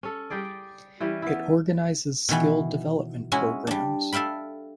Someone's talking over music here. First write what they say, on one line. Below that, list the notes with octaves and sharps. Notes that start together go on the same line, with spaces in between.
It organises skill development programmes.
C#4 A4
G3 G4 G#4 D5
E3 G3 C#4
B3 E4
B2 D#3 E3 B3
G#3 C#4 E4 F#4
G3 D4
A4 E5 F5 G5 B5